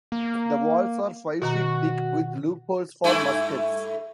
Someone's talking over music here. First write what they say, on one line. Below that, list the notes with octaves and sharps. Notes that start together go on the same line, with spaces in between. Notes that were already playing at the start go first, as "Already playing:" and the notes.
The walls are five feet thick with loopholes for muskets.
A#3
B2 D#3 F#4 A#5
G2 A3 E4